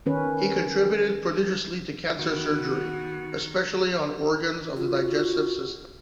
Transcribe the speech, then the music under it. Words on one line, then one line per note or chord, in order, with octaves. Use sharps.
He contributed prodigiously to cancer surgery, especially on organs of the digestive system.
D#3 C#4 B4
D#3 B3 F#4
F4 F#4